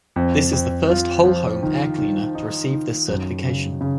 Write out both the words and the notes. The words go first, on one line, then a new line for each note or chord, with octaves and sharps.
This is the first whole home air cleaner to receive this certification.
F2
F2
F4
F3
D#3
D#3
D#4
D#3
F#2
C#3
C#3